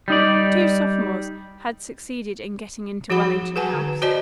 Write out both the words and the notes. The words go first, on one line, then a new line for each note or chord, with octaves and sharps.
Two sophomores had succeeded in getting into Wellington House.
G3 D#4 D5
F3 F#4 G#4 F#5 B5
G#4 B4 F#5 G#5 A5
D3
F#4 C5 D5 D#5 A5